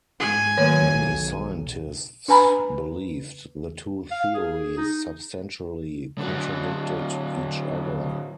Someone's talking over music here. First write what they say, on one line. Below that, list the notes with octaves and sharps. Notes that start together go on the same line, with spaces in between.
Many scientists believed the two theories substantially contradicted each other.
G#2 G#5
D#3 F#3 A#3 C#5
B1
D4 B4 G#5 A#5 B5
F5
G#4
D#4
D3 F#3